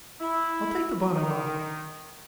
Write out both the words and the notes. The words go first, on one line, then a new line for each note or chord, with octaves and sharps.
"I'll take the bonnet off."
E4
D#3